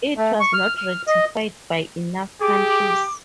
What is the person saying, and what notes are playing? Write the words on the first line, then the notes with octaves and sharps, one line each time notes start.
It was not ratified by enough countries.
A3
C#6
F6
F6
D#5
G4 G#4 D6